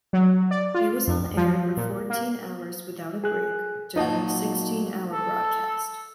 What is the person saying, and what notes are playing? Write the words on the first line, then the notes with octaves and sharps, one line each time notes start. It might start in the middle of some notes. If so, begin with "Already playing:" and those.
He was on air for fourteen hours without a break, during a sixteen-hour broadcast.
F#3
D5
F4
F2
F3
A#2
A#3
G#4 F#6
A#2 F#3 D#4 D#5 A5
A4